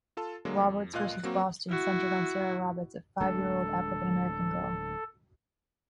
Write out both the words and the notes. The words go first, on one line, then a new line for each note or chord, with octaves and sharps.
"Roberts versus Boston" centered on Sarah Roberts, a five-year-old African-American girl.
F4 A4 A5
D3 F#3 G#3 A#3
F2
C#2 A#2 F4 D#5 F5 F#6
F#3 A#3 C4 F#4
E4 F#4
D1 G#3 D4 A4